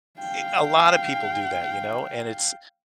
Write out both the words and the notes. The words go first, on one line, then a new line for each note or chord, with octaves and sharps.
e a lot of people do that, you know? And it's
F5 G5